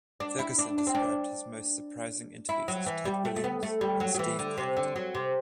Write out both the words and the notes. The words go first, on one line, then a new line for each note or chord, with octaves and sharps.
Ferguson described his most surprising interviews as Ted Williams and Steve Carlton.
D4
E4
D4
D4
C4
D4
E4
F#3
E3
G3
A3
A3
B3
A3
G3
F#3
F#3
E3
D3
C3
D3
F#3
C3